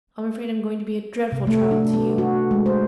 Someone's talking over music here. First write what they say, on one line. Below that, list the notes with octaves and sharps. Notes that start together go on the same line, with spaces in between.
I'm afraid I'm going to be a dreadful trial to you.
C3
A3
D4
B3
F#4
G#3
C5